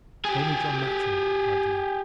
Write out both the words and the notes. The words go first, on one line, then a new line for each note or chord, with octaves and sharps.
"Call me John Matcham," replied the lad.
G4 G#4